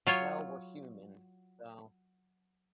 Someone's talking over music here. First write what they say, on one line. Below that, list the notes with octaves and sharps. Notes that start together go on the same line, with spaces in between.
Well, we're human, so
F#3 F4 C#5